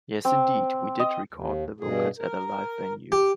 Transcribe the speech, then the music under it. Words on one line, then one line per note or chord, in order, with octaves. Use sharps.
Yes indeed, we did record the vocals at a live venue.
C4
D#5
D#2
G2 B2 G#4
A#4
G4